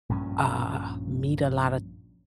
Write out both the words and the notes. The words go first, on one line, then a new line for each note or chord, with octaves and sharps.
uh, meet a lot of
A#1 G2 A#2 C#4